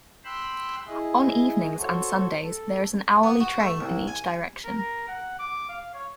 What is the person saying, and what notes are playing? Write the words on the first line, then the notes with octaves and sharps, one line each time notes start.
On evenings and Sundays there is an hourly train in each direction.
G5 B5 C6 E6 F#6
E4 G#4 D#5
F#4 A4 C5 C#5
A4
B3
F#4
A3
C2
G#5
A#4
F#5
D6
F5
C#5